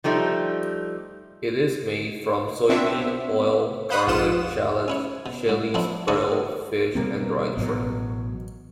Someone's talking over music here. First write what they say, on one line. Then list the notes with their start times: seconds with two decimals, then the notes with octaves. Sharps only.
It is made from soybean oil, garlic, shallots, chilies, brill fish and dried shrimp.
0.04 F3 G3 A3 D#4
2.69 B3 C4 D4 C#5 E5
3.90 C5 F5 F#5 B5 D#6 F#6
4.07 A#1 F2 F4 F#5 D#6 E7
4.88 C#4 E4 C#5
5.26 B2
5.49 G#2
5.74 F3 B3 C4 D4 E4
6.08 A2 D3 D4 E4 C#6 D#6
6.95 B2 G3 A#3 C4
7.57 A1 B2 F#3